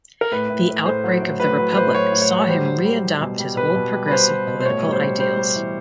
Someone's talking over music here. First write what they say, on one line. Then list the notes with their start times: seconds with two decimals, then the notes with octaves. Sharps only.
The outbreak of the Republic saw him re-adopt his old progressive political ideals.
0.21 A#4
0.32 A2 B4
0.49 A2
0.68 A2
0.86 A2 C5
1.04 F#3
1.22 A2
1.40 A2 B4
1.58 F#3 B4
1.72 B4
1.76 A2 C5
1.94 F#3 C#5
2.12 A2
2.22 C#5
2.30 F#3
2.48 G3 C5
2.66 G3
2.85 G3
3.03 G3
3.20 B2
3.39 G3
3.56 B2 B4
3.75 B2
3.92 G3
4.07 B4
4.11 G3 C5
4.29 G3
4.47 B2
4.60 C5
4.66 A2 C#5
4.83 G3
4.92 C5
5.02 G3
5.19 G3 C5
5.37 G3
5.55 E3